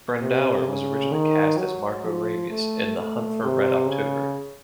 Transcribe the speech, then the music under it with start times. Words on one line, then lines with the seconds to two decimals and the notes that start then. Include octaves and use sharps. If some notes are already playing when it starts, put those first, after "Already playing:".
Brandauer was originally cast as Marko Ramius in "The Hunt for Red October".
0.21 C3
0.67 C#3
1.12 D#3
1.58 F#3
2.05 F3
2.50 A3
2.97 A3
3.43 C3
3.89 C#3